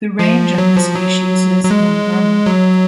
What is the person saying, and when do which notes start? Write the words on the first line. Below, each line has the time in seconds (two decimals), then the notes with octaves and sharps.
The range of the species is in Burma.
0.19 F3
0.58 F#3
0.76 F3
0.95 F#3
1.64 F#3
1.71 G#3
2.46 F#3